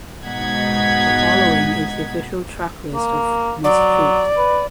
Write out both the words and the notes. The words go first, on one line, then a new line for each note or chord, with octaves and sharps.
The following is the official track list of "Miss Truth".
G#2 B2 D#4 F#5 G#6 B6
A#3
F#3 D5
B4